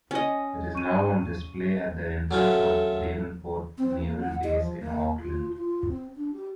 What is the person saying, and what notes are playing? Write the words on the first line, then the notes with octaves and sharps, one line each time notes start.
It is now on display at the entrance of Devonport Naval Base in Auckland.
C#4 D#5
C#6 D#7
F#3 C#4 F4 A4 E5
C4
A#3
F#5
D#5
F3
A#3
F4
F4
C4
D4
G4